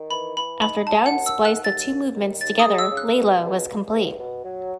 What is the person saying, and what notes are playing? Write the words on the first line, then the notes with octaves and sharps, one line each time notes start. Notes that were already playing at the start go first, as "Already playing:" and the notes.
After Dowd spliced the two movements together, "Layla" was complete.
Already playing: D#3
E3 B5
E3 B5
D#4 B5
D#2 A5
F#5
D#2
E6
D#2
F#6
D#2 A6
D#2
D#3
D#2 A6
D#6
G#3
E6
C#3
F#6
B2
C#2
C#2
E2
B2
F#3